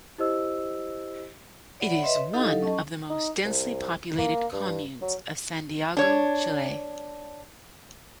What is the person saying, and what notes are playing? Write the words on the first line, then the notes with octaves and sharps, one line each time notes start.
It is one of the most densely populated communes of Santiago, Chile.
E4 G4 C5 D#5 E6
C#5 D5 E5 F#5 B5
B4 C#5 D#5 E5 C6
D#5
D#4 E4 G4 A4 D#5 F5
F#3 A4
C#4 D#5 A5 C#6
D#4
C2
A#3
G2
F#3
D4 C#5